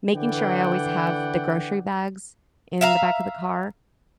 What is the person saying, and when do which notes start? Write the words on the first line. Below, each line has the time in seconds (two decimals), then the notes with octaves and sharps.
making sure I always have the grocery bags in the back of the car
0.14 D3 E3 B4 D5 F#5 G5
2.81 E5 F5 A#5